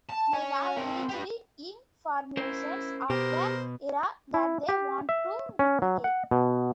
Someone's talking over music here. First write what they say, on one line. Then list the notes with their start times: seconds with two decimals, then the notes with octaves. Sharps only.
They have researched ink formulations of the era that they want to replicate.
0.09 A5
0.34 C#5 G#5
0.77 C4 A#4
1.09 G4 B4
2.37 C#4 E4 A#4 C5
3.10 B2 G4 A#4 C5
4.34 E4
4.69 G4
5.09 E5
5.59 C#4
5.82 F#3
6.04 F#5
6.31 B2